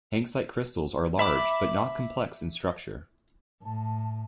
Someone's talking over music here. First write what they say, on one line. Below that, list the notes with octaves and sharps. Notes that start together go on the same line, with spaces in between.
Hanksite crystals are large but not complex in structure.
E5 B5 D6
A2 A5